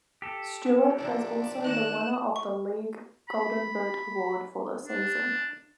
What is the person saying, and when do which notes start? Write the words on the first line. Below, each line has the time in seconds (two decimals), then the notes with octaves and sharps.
Stuart was also the winner of the league Golden Boot award for the season.
0.22 G4 A4
0.98 A2 C3 F3 D4
1.64 D#3 D#4 F#6 E7
2.36 C#6
3.29 B5
4.86 D4